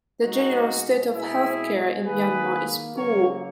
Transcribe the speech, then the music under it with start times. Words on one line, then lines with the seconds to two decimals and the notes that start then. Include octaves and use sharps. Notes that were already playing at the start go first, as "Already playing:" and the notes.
The general state of health care in Myanmar is poor.
0.23 B2 G#3 D#4 F#4
1.14 B2 G#3 E4 G#4
2.04 D#3 A#3 G#4 B4
2.95 C#3 F#3 A#3 A#4 C#5